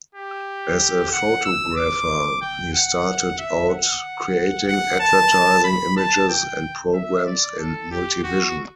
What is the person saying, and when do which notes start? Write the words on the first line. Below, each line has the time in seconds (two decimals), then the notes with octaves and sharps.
As a photographer, he started out creating advertising images and programs in multivision.
0.15 G4
1.12 F#5
1.45 E6
1.77 D6
2.41 G5
2.74 F#5
3.38 E5
3.70 F#5
4.68 F#5
5.00 A5
5.64 B5
5.97 A5
6.29 G5
6.94 E5
7.27 D5
7.59 A4
7.91 G4
8.23 F#4